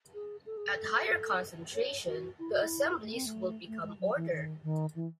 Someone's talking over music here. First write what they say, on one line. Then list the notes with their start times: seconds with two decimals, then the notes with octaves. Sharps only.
At higher concentration, the assemblies will become ordered.
0.14 G#4
0.46 A4
0.57 G#4
0.68 A4
1.75 C#5
2.07 F#4
2.39 E4
2.51 F#4
2.62 E4
3.03 A3
3.14 C4
3.26 A3
3.67 A3
3.83 G#3
3.99 F#3
4.16 E3
4.31 D#3
4.64 D#3
4.95 E3